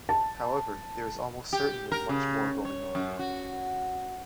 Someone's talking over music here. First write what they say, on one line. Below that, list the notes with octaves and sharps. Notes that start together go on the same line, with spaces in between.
However, there is almost certainly much more going on.
A5
G4
A#4
C#3
C#5
F#2
F#4